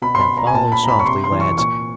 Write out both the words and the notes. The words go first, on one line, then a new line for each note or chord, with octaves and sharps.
Now follow softly, lads!
B2 B5
C6
B5
A#5
G#5
A#2 A5
B5
A#5
B5
C#6
C3 C6
C6
E3
C#6
A#2 C#6